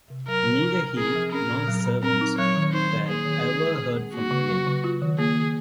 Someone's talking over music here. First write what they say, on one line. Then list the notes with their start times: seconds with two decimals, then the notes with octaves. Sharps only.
Neither he, nor his servants, were ever heard from again.
0.10 C3
0.28 F#3 A#4
0.46 C3
0.62 D#4
0.81 A#4
0.98 C4 G#4
1.16 F3
1.33 C#4 A#4
1.51 A#2
1.68 F#3
1.86 A#2
2.03 C4 A#4
2.21 D#4
2.38 F#3 C#5
2.56 D#3
2.73 D#4 C5
2.91 D#3
3.09 A#3 G#4
3.26 D#3
3.44 D#4
3.61 G#3
3.78 C4
3.97 G#3
4.14 A#3 F#4
4.31 C#3
4.49 F#3
4.67 C#3
4.84 F4
5.02 D#3
5.19 A#3 G#4
5.37 D#3